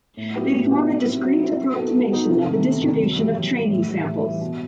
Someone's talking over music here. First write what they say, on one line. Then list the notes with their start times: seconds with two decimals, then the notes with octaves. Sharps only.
They form a discrete approximation of the distribution of training samples.
0.17 A2
0.35 F#3 B3 E4 G4
0.52 A2
0.70 F#3 B3 E4 G4
0.87 F#3
1.06 C4 E4
1.23 F#3
1.41 C4 E4
1.58 F#3
1.76 B3 D#4 F#4 A4
1.94 F#3
2.12 B3 D#4 F#4 A4
2.29 C3
2.47 D#3 A3
2.64 C3
2.81 D#3 A3
3.00 F#2
3.17 E3 G3
3.35 F#2
3.53 E3 G3
3.70 A2
3.88 E3 G3
4.06 A2
4.23 E3
4.28 G3
4.41 B2